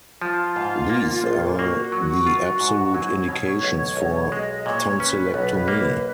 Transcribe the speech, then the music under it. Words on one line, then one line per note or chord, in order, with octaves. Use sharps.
These are the absolute indications for tonsillectomy.
F3 F4
G#2
A#3
A#1
F4
A#3 F#4
F#3
F4
G#2
F#3 C#5
B2
B1
B1
G#3 D#5
A#2 C#5
C#4 B4
B1
A#3